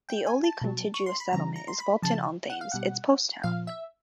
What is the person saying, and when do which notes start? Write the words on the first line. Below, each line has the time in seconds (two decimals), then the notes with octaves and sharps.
The only contiguous settlement is Walton-on-Thames, its post town.
0.09 G5
0.27 G#5
0.44 A5
0.61 B2 F#3
0.94 C#6
1.06 C6
1.20 B5
1.32 C#3 E3 G3 A#5
1.56 A#5
1.68 C6
1.80 B5
2.02 C#3 F3 A5
2.50 F#5
2.61 F5
2.72 B2 G3 F#5
3.43 A#2 F3 F5
3.67 E5